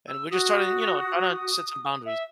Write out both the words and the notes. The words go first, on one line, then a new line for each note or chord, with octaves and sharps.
And we're just starting, you know, trying to set some boundaries.
E6
F#4 D#6
E5